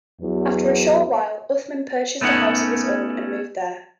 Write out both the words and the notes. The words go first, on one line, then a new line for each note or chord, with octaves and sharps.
After a short while, Uthman purchased a house of his own and moved there.
E2 F#3
A3 B3 C#4 D#4 F#5